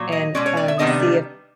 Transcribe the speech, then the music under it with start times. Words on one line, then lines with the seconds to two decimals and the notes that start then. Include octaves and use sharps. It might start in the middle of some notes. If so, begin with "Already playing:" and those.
and, um, see if
Already playing: A#2 F#3
0.12 D#5
0.35 B2 G#3 C#4 D5
0.46 C#5
0.57 D5
0.68 E5
0.79 C3 D#3 G3 B3 D4 D#5